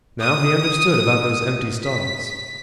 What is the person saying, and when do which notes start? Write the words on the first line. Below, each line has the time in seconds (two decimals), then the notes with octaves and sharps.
Now he understood about those empty stalls.
0.22 D#6
1.84 B6